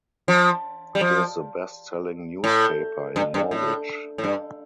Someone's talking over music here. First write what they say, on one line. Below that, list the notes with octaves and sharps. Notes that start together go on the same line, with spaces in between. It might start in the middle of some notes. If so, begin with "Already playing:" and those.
It is the best-selling newspaper in Norwich.
F3
G3
F3
A2
G2
G2
A2
A2
G2